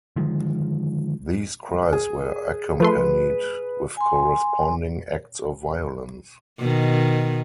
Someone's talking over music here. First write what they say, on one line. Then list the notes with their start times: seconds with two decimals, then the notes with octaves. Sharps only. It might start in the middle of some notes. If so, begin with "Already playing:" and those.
These cries were accompanied with corresponding acts of violence.
0.16 D3 D#3 F3 G#3
1.93 G#4
2.80 F3 A3 B4 C6
3.97 G#5 C6
6.59 B2 D#3